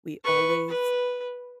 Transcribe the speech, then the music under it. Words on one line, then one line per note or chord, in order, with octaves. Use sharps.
we always,
B4 C#6
B4